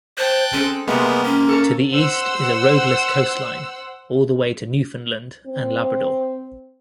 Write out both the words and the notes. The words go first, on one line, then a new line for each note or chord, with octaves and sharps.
To the east is a roadless coastline all the way to Newfoundland and Labrador.
C5 G5 A5 F#6
G#3 C4 C#4 A4
G#2 C3 G3 G#3 A#3 B3 E5
A#3 C#4
A4 A#4 C#5
C5 F#5 E6
C4